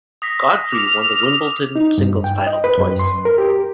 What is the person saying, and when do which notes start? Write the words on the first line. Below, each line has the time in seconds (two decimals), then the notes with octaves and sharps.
Godfree won the Wimbledon singles title twice.
0.22 D#6 A#6 B6
0.73 D6 F6
1.76 D#4
1.98 G2
2.24 G5
2.47 D#5
2.64 B4
2.78 F#2
2.99 C6
3.25 A#4
3.38 G4